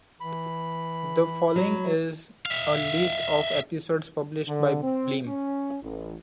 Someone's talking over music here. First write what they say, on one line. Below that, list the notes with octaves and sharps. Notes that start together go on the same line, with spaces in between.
The following is a list of episodes published by Blim.
E3 B5
F#3
E5 F5
D3
C4
C#4
A1